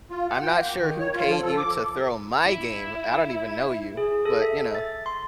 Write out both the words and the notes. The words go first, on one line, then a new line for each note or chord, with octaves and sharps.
"I'm not sure who paid you to throw my game. I don't even know you," but, you know.
F4
F#5
G5
A#3
D#3
C#5
F4
F3
A4
D6
E4
G#4
A4
E5
A6
C6